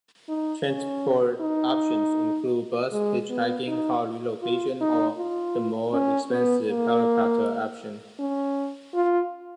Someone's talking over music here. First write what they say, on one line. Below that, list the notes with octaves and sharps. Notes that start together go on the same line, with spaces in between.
Transport options include bus, hitchhiking, car relocation or the more expensive helicopter option.
D#4
C#4
D#4
G#3
B3
D#4
F4
D#4
F4
C#4
B3
A#3
C#4
F4